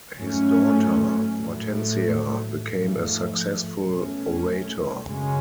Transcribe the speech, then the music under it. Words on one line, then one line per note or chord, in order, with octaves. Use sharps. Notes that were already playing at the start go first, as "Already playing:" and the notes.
His daughter Hortensia became a successful orator.
G#2 F#3 A3 C#4
A2 F#3 A3
G#2 F3 A3
B2 A3 C#4
F#2 C#3 G#3 C#4